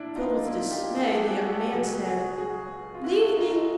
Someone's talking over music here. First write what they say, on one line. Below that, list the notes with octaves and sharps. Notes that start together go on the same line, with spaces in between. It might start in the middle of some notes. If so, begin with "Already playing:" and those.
Filled with dismay the young man said: 'Leave me!
Already playing: B1 A#2 D4 E4
D#4 F4
F4
E4
D#4 F4
F4 G4
G#4
G4 A4
F#4 G#4
G4 A4
C#2 B2 F#3 F#4 G#4
F#4 G#4
F#4 G#4
F4
E4 F#4
D#4 F4